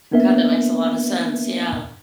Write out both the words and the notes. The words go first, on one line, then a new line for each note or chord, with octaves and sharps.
God, that makes a lottta sense, yeah.
A#3 B3 D4 A#4 B4 E5